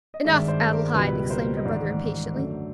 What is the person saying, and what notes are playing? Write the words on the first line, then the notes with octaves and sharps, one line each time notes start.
"Enough, Adelaide!" exclaimed her brother, impatiently.
D#5
G#1 G2 D#3 G#3 D5 E5
C5 D5
A#4
C#2 B2 G3 B4
A#4 C5
D#5
A1 G#2 D#3 C5 D5
F#2 D3 F#3 A3